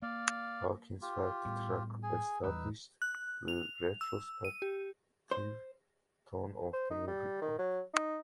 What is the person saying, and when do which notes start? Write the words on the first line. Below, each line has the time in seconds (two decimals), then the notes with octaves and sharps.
Hawkins felt the track established the retrospective tone of the new record.
0.02 A#3 D5 F5
1.02 F4 G4
1.45 A2 G3 B3
2.03 G#4 G#5
2.43 E2 G3 D#4 B4 E6
3.02 F#6
3.48 F7
4.01 E6
4.45 D#7
4.62 G4
5.31 C5
6.73 C5
6.90 D#4
7.07 G3
7.41 D#3
7.58 F#3
7.94 D#4